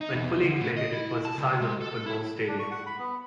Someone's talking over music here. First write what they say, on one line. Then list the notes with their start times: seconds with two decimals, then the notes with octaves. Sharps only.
When fully inflated it was the size of a football stadium.
0.01 D#4
0.14 E2
0.45 D3
0.60 A2
0.77 D#5
0.93 E4
1.25 A5
1.38 C#2
1.62 G#3
1.81 A4
2.06 E4
2.48 D4
2.59 C#6
2.71 F#5
2.86 B5
2.99 B3